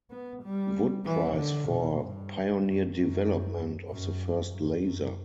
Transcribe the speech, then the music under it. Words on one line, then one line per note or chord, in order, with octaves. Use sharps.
Wood Prize for "Pioneer Development of the First Laser".
B3
G3
E3
D3
B2
G2
F#2
F#2
F#2
F#2
F#2